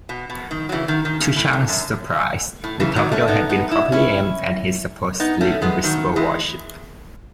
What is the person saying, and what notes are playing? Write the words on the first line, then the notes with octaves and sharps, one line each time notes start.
To Chang's surprise, the torpedo had been properly aimed at his supposedly invisible warship.
B2
B2
D#3
F#3
C#3 E3
D#3
D#3
C#3
A2
G#2
F#2
A2
C#3 E3
D#3 F#3
A3 C#4
B3 D#4
B3 D#4
E4
C#4 E4
B3 D#4
A3 C#4
G#3 B3
D#3 F#3
E3 G#3